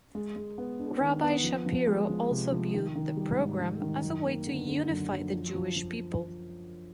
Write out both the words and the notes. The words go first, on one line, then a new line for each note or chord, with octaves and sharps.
Rabbi Shapiro also viewed the program as a way to unify the Jewish people.
G#3
G#3
B3
D4
D#3
B3
F3
F3
G#3
F3
C3
F3
D#3
D#3
G3
G#2
D#3
D#3
F#2
A#3
D3
D3
F#2
F#2
F3
F3
F3